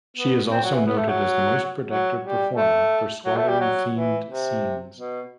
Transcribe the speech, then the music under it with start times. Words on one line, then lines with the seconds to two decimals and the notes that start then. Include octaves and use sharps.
She is also noted as the most productive performer for swallowing themed scenes.
0.17 B3
0.51 C4
0.62 F#3
0.74 E3
0.86 B3
0.97 A3
1.08 F#3
1.88 F#3
2.23 G3
2.56 A3
3.25 F#3
3.37 A3
3.48 G3
3.60 F#3
3.94 E3
4.28 C3
4.97 B2